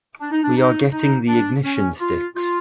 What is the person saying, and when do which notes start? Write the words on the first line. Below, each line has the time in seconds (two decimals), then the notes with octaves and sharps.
We are getting the ignition sticks.
0.20 D4
0.31 D#4
0.43 D4
0.56 D#4
0.92 D#4
1.27 D4
1.64 C#4
2.00 F4
2.36 F4